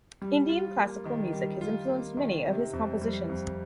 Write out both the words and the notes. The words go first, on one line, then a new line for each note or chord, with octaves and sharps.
Indian classical music has influenced many of his compositions.
G3
F4
A#3
D#3
G3
F4
A#3
D#3
C3
F2
G3
F2